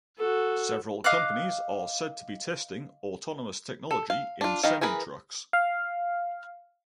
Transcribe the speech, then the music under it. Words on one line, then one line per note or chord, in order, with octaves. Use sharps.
Several companies are said to be testing autonomous technology in semi trucks.
F#4 A4
D#5 F5 D6 F#6
A4
F5
D4 F4
D#3 B4 D#5 F5
E3 G#4 A#4 B4 B5
F5